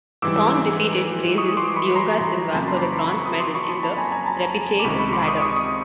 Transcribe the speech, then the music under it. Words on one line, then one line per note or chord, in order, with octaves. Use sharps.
Song defeated Brazil's Diogo Silva for the Bronze medal in the Repechage ladder.
G#2 E3 G3 D6 E6
C#6 D#6
C6 D6
B5 C#6
A#5 C6
F2 C#3 F#3 A#3 C#4 A5 B5
A#5 C6
D6
B5 C#6
B5 C#6
C#6 D#6
C6 D6
B5 C#6
A5 B5
A5 B5
G#5 A#5
G#5 A#5
A5 B5
D6
C#2 C3 D#3 G#3 B5 C#6
B5 C#6
C6 D6
C#6 D#6
C#6 D#6
C#6 D#6